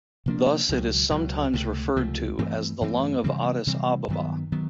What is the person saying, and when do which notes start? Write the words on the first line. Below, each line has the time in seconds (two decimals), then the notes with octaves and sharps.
Thus, it is sometimes referred to as the "lung of Addis Ababa".
0.26 C3 F3 A#3 D4
0.69 C#2 B2 F#3
1.11 C#2 B2 F#3
1.53 C#2 C3 F3 A3
1.96 C#2 C3 F3 A3
2.39 G2 E3 A3 C4
2.81 G2 E3 A3 C4
3.24 C3 E3 G3 C4
3.67 C3 E3 G3 C4
4.08 G2 D#3 F#3 B3
4.52 D#3 F#3 B3